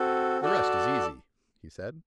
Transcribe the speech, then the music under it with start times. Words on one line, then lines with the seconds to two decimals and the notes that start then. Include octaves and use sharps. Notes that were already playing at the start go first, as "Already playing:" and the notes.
"The rest is easy," he said.
Already playing: C4 F#4 A4
0.41 F#4 A4 D5 A5